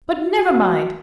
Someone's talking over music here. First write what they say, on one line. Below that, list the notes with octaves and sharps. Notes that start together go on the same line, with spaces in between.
But never mind.
F#4